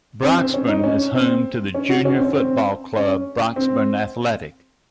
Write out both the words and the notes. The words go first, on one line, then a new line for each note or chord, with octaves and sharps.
Broxburn is home to the junior football club Broxburn Athletic.
C4
C4
C#4
D#4
C#4
C4
C#4
F#4
C#4
C4
C#4
C4
C#4
C4